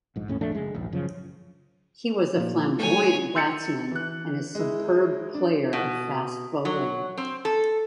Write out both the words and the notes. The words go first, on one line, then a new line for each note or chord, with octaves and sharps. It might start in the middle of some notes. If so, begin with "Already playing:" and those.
He was a flamboyant batsman and superb player of fast bowling.
A#1 G#2
D#2 A2 C#4
A#1 F2 A3 D4
F#1 G#3
A#1 D#2 G#2
F#2 C#3 F3
A#2 F3
F#3 A3 C#5 G#5
C6 E6 G6 A6 C#7
E3 F#6
G#3 E4
D4
B2
F#3
C4
A4